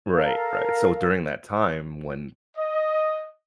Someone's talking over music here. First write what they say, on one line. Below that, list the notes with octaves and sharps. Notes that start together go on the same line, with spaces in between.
Right, right. So, during that time when
A4 A#4 F5
D#5